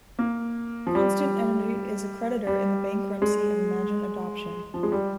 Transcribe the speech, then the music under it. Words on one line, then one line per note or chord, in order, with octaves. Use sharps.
Constant Energy is a creditor in the bankruptcy of Imagine Adoption.
A#3
F3
G3
G3
G#3
F3
G#3
G3